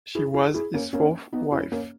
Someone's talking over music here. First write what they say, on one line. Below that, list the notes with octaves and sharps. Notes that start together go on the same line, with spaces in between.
She was his fourth wife.
E4 G#4
E4 G#4
E4 G#4
A#3 C#4
A#3 C#4
B3 D#4
C#4 E4
A#3 C#4